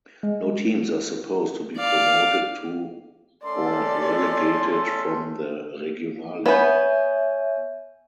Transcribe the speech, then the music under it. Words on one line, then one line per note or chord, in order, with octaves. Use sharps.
No teams are supposed to be promoted to or relegated from the Regionalliga.
G#3
D5 F5
A3 C#4 A4 D5 C6
B3 B4 C#5 E5 G#5 G6